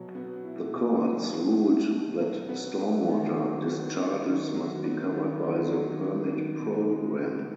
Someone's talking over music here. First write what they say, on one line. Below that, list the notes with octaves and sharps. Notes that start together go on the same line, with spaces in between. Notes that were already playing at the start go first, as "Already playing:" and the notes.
The courts ruled that stormwater discharges must be covered by the permit program.
Already playing: B2 F#3
B3
E4
B2
F#3
B3
E4
B2
F#3
B3
E4
D#3
F#3
B3
D#3
D#3
F#3
B3
D#3
D#3
F#3
B3
D#3
B2
G#3
B3